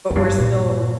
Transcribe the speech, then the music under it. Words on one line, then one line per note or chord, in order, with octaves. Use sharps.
But we're still
E2
G2
A#2